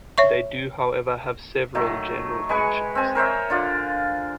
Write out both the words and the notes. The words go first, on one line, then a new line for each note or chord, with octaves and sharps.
They do however have several general features.
C#5 E5 C#6
D#3 F#3 A3
G#3 B4 G#5 C#6
C4 G#5
A#4 C5 C#5 E5
D3 F4 D5